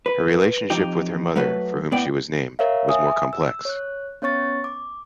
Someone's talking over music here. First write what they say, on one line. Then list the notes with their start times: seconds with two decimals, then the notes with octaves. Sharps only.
Her relationship with her mother, for whom she was named, was more complex.
0.06 B4
0.70 F2 D#4 G4
1.36 F#3 A3 B4
1.92 A2 B3 D5 G5
2.59 A#4 C#5 E5 F5
2.89 E5 G#5 D#6
3.33 E6
3.65 C#5 F#6
4.22 B3 C#4 C#5 C#6 A6
4.64 D6